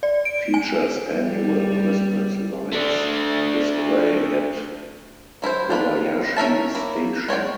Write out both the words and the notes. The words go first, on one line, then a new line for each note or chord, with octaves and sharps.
Features annual Christmas Lights Display at Kobayashi Station.
D5
D7
G#5
G3
A3 D4
F#3 E4 A#4 C5
D4 F4 B4
C#4 A#4 E5 A5
A#3 E4
G#3 C#5 D5 G5